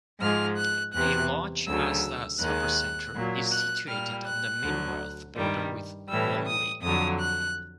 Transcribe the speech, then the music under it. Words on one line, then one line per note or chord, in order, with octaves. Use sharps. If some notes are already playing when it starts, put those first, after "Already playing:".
A large Asda Supercentre is situated on the Minworth border with Walmley.
G#2 F3 G#3 F6
F#6
E2 C3 E3 F#6
D2 C#3 F#3 E6
D#2 D#3 G#3 F#6
A#2 F#3
F#6
A#2 G3 F6
F#6
D2 D3 F#3
G2 D#3 G3
A2 E3 G3 E6
D#6
F2 D3 F#3 D#6
F#6